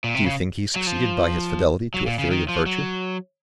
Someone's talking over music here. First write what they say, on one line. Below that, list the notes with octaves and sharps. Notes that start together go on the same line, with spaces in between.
Do you think he succeeded by his fidelity to a theory of virtue?
A#2
C3
C#3
F#3
F3
F#3
A#2
C#3
D#3
F3
F#3